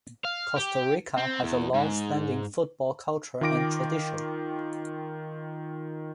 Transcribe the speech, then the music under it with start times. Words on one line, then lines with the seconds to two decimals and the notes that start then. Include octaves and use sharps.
Costa Rica has a long-standing football culture and tradition.
0.25 F5
0.56 G4
1.18 C4
1.43 E2
1.74 G#2
3.41 D#3 F4 G5 D6 A#6 D7